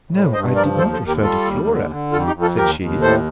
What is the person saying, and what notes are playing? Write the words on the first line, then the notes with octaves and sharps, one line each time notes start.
"No, I did not refer to Flora," said she.
A2
G2 C5 D#5
F3 A#4 D5
D#2 A4 C5
A4 C5
D#2
G4 A#4
G3 F4 A4
D#2
D3
D3
F2 F4 A4
D#4 G4
F2
F4 A4
D#2 G4 A#4
D#2
A2 A4 C5